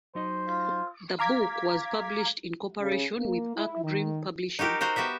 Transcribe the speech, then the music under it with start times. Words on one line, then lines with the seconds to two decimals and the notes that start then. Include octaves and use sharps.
The book was published in cooperation with Arc Dream Publishing.
0.15 F#3 D#4 C5 D#5
0.48 F4
1.19 F5 A#5 D6 G#6 B6
2.80 C#3
3.19 A#3
3.56 E4
3.85 D#3
4.59 D#4 F#4 G4 A#4
4.81 D#4 F#4 C5 A#5
4.96 B3 F#4 G4 E5